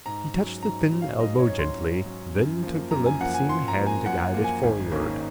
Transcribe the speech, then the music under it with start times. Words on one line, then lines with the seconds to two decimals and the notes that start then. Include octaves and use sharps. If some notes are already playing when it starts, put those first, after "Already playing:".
He touched the thin elbow gently: then took the limp seeing hand to guide it forward.
0.06 G#2 A#5
0.34 F#3 C#4
0.63 G#2 A#5
0.92 F#3 C#4
1.02 F5
1.20 G#2 D#5
1.39 C#5
1.49 F#3 C#4
1.59 C6
1.77 G#2
2.06 F#3 C#4
2.35 F#2
2.63 F3 A#3
2.91 F#2 A#5
3.06 G#5
3.21 F3 A#3 F#5
3.34 G#5
3.49 F#2 C6
3.68 A#5
3.77 F3 A#3
3.86 G#5
4.06 F#2 F#5
4.34 F3 A#3
4.44 G#5
4.63 G#1
4.91 G#2 D#3 A#3 C#4